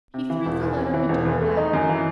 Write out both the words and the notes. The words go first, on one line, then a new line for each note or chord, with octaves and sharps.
He threw the letter into her lap.
C3
E3
E1
E2
C3
E3
E1
E2
A3
D#4
F#2
E3